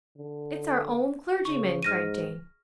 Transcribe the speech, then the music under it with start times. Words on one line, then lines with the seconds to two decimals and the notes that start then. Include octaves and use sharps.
'It's our own clergyman,' cried Jane.
0.17 D3
1.45 C#3 C#6
1.83 G#2 F6 A#6 D#7